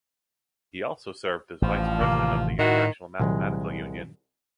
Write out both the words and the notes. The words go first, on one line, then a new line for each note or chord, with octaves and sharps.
He also served as Vice-President of the International Mathematical Union.
A1 G2 F3
A1 C3 D#3 A#3
A2 D#3 E4 F#4
C2 A#2 D#3 F#3 G#3